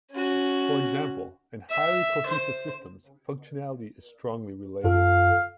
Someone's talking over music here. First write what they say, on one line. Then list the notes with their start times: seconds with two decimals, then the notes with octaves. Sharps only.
For example, in highly cohesive systems functionality is strongly related.
0.11 C#4 F#4
1.70 E5
2.26 C5
4.84 F#2 F4 A4 F5